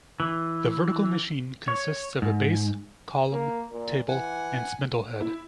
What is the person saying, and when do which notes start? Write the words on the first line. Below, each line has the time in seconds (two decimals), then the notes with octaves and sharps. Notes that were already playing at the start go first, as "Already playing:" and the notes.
The vertical machine consists of a base, column, table, and spindle head.
0.20 E3
1.68 C#5
2.22 G#2
3.32 A#3
3.72 A#2
4.09 E3 F#5 G#5
5.21 E4